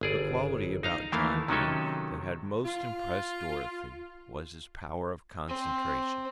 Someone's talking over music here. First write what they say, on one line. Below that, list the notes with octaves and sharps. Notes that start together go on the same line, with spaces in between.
The quality about John Dene that had most impressed Dorothy was his power of concentration.
G1 G#4 D5
D#4 F5 A#5
D#3 E3 A3 A#3 E4 F5
C3 D#3 F#3 C#4 D#4 A4
F4
C4